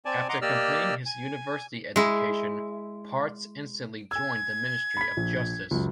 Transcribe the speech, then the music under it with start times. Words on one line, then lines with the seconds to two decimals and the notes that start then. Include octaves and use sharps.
After completing his university education, Parts instantly joined the Ministry of Justice.
0.05 C4 D5 G#5 A5
0.29 D#5 F#5 A#5 C6 D6
0.42 A#3 G4 D5 D#5 E6 F6
1.06 G#5
1.96 G#3 E4
4.11 G#5 E6 G#6
4.97 B5 B6
5.17 A#1
5.71 C#2 F#2